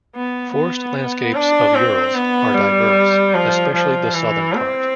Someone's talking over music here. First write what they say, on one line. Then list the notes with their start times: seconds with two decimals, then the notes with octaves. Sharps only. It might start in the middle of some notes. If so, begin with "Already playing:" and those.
Forest landscapes of Urals are diverse, especially the southern part.
0.15 B3
0.55 B3
1.35 D4
1.74 C4
2.15 B3
2.54 G3
3.34 F3
3.74 F3
4.14 E3
4.54 C4